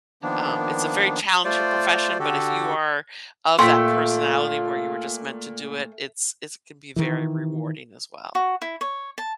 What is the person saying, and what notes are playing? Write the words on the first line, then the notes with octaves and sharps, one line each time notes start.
Um, it's a very challenging profession, but if you are of that personality where you were just meant to do it it's, it can be very rewarding as well.
D#3 F3 A#3 B3 D4
A3 F4 C5 D5
D3 F#4 G4 A4
A#2 A3 F4 G5 C6 B6
D#3 E3
F#4
E4
C#5
A5